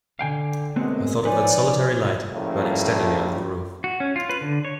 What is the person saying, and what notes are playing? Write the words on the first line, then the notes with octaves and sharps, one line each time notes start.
I thought of that solitary light burning steadily under the roof.
D3 F5 G5 G#5
F#2 B2 G#3 A3 B3 C4
F3 D#4 B4 C#5 D5 G#5
A2 C#3 F3 G3 A3 A#3
F#4
C#4
F4
B4
D3
C#5